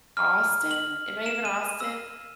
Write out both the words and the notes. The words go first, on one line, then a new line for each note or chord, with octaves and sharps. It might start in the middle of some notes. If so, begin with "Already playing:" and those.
Austin, it may have been Austin
F6
F#7
E7
D#7
E6